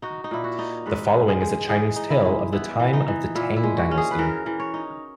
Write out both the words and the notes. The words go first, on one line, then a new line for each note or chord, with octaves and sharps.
The following is a Chinese tale of the time of the Tang dynasty.
D#4 F#4
D#4
A#2 E4
F#4
D#4
G#2 B4
G#3
G#4
G#3
E3 G#4
D#4
E4
G#3
B3 E4
E3
D#4
E3
A#2 E4
E4
G#3
F#4
C#4
G#4
B4
E3 A#4
E3
C#5
D#4